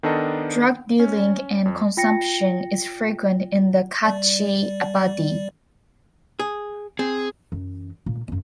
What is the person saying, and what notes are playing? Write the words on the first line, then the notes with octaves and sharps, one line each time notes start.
Drug dealing and consumption is frequent in the katchi abadi.
D#3 B3 D4 A4 A#4 D#5
C#4
F2
F4 G5 A#6 C#7
G3 D5
G#4
C4 G#4
F#2 E3
A#2
F#2 F4